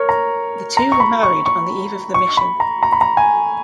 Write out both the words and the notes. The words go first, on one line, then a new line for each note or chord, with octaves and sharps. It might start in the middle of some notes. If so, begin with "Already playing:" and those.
The two were married on the eve of the mission.
Already playing: A#4 C#5
A#5
A#5
C#6
B5
C#6
C#6
C#6
B5
A#5
A#5
B5
A#5
G#5